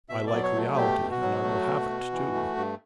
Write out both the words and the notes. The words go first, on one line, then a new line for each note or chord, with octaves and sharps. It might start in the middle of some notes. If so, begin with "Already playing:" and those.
I like reality, and I will have it too.
B2 E5
D5
F#3
C#5
A3
B2 G4
B2
F#4
F#3
A3
B2
B2
E3
A3
G2